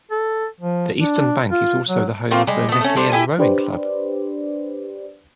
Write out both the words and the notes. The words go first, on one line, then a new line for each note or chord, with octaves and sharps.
The eastern bank is also the home of the Nepean Rowing Club.
A4
F3
D4
F4
F#3
A3 A#3 C4 F4
G3 G#3
A3 B3
A3 C#4
G3 D4 C5
E4 G4 G#5
D4 G4 B4 C5 D5